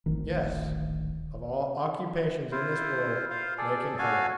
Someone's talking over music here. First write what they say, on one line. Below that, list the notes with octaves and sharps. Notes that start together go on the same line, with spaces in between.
Yes, of all occupations in this world, making hay!
D1 G#1 D2 D#3
E4 F4 C5
F4 C5 F5
G#4 A4 D5
F#4 A4 F5 G#5